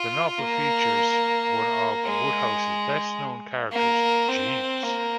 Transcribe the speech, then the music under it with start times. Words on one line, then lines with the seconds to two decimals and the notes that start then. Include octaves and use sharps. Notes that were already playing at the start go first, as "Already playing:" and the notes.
The novel features one of Wodehouse's best-known characters, Jeeves.
Already playing: F4
0.38 A#3
2.04 G#3
3.72 A#3
4.28 C4
4.83 A#3